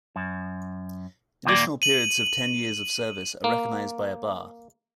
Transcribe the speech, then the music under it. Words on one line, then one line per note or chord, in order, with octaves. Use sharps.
Additional periods of ten years of service are recognised by a bar.
F#2
D#2 A#2 A#3 D5
D#7 F#7
A#3